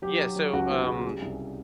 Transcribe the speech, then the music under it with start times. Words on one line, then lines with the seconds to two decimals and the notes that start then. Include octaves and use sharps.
Yeah, so, um,
0.02 F#3 G4
0.19 F#3
0.36 F#3
0.53 C#2 F#4
0.71 B3
0.87 C#3
1.04 G3
1.22 C2